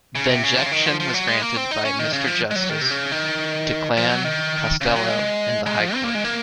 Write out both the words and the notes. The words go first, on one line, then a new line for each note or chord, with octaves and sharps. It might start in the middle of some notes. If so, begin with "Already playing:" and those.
The injunction was granted by Mr Justice Declan Costello in the High Court.
C#3
C3
C#3
F3
C#3
D#3
F3
F3
F#3
G#3
A#3
C4
D#4
C#4
D#3
C#3
F3
G#3
F#3
D#3
C3
C#3
D#3
F3
F#3
D#3
C#3
F#3
G#3
G#3
F3
C4
A#3
G#3
A#3